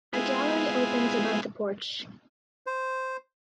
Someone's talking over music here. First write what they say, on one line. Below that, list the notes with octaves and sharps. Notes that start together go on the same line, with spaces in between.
A gallery opens above the porch.
G#3 B3 C4 E4 F4 G#4
C5